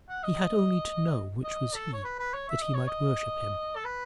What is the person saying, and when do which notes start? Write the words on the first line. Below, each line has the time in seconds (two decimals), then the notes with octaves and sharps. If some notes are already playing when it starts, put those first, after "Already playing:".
He had only to know which was he, that he might worship him.
0.09 F#5
0.24 D#5
1.44 D#5
1.74 A4
1.93 C#5
2.04 B4
2.19 B4
2.34 C#5
2.49 E5
2.62 D#5
2.74 C#5
2.88 D#5
3.76 A4
3.85 B4